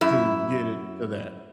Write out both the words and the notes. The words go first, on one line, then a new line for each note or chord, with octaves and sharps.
to get it to that,
F#2 E4